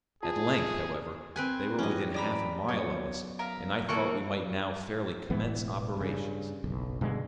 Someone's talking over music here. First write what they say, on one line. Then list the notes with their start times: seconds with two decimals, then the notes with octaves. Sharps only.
At length, however, they were within half a mile of us, and I thought we might now fairly commence operations.
0.23 F4 G#4 A5
1.36 C4 B4 G#5
1.79 E3 F#3 C#4 G4 D#5
2.14 D5 A#5 B5
2.69 F#3 B3 C#5 D5
3.39 A#4 E5 F5
3.89 E3 A#3 E4 A4 C#6
5.30 E1 A2 E3 B3
5.97 G2 C#3
6.64 F#1 B1
7.01 G2 B2 D3 G#3